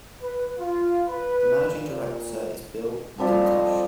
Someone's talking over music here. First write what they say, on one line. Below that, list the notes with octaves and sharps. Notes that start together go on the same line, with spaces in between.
The managing director is Bill McIntosh.
B4
F4
B4
A#2
F3 G3 C4 A4
D#5